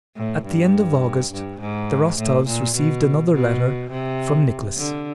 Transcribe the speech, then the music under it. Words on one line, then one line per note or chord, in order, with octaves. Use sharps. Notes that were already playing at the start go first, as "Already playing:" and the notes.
At the end of August the Rostovs received another letter from Nicholas.
A2
G2
G2
G#2
A2
A#2
B2
B2
C3
D3